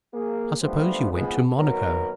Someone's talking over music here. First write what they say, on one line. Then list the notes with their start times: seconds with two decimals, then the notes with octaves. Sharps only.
"I suppose you went to Monaco?"
0.14 A#3 G#4
0.62 F3 G3 A3 B3 D4 C5
1.12 G#2 F3 G#3 B3
1.58 B2 D#3 F#3 A#3 A#4